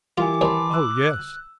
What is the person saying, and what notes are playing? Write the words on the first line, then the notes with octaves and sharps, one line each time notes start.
"Oh yes!"
E3 F4 G4 A#4 G#5 D6
D#2 C3 A5 B5 C6
E6 F#6